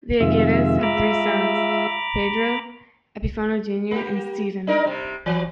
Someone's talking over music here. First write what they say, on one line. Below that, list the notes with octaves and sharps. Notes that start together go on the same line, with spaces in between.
The Aguirres had three sons: Pedro, Epifanio Junior and Stephen.
F2 C3 D#3 G#3 F4 E5
A#5 B5 D6
A#3 G4
D4 D#4 A#4
C3 G3
E3 F#3